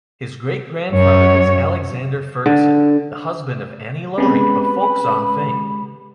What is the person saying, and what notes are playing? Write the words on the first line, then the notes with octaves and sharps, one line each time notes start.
His great-grandfather was Alexander Fergusson, the husband of Annie Laurie of folksong fame.
F#2 C#5
D3
C#3 G#3 B3 C4 G4 G#4 B4 B5